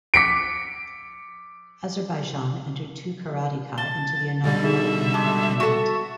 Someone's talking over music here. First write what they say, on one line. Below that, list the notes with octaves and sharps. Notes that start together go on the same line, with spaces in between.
Azerbaijan entered two karateka into the inaugural Olympic tournament.
D6 B6 C#7 D7
A5 A6 G7
B2 D3 G3 A6
D#4 G#4 E5
G#3 A5 D6
F#4 A4